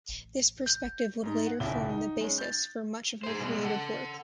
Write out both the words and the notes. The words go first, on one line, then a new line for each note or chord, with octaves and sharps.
This perspective would later form the basis for much of her creative work.
A1
G6
G#2 D#4
F#5
D#1 G#1 C#2 E4 G7
D#4
G#3 C#4
G6 A6
G#4 C5
B2 G3 G#3
A4 F#5